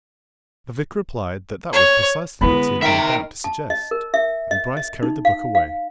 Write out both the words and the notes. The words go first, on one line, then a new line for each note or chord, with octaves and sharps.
The vicar replied that that was precisely what he had been about to suggest, and Bryce carried the book away.
C#5
D3 G#3 B3 E4 B5
D#3 A#4 E5 G5
A5
D#5
A#4
E5
D#5
D#5
D#4
F5
F5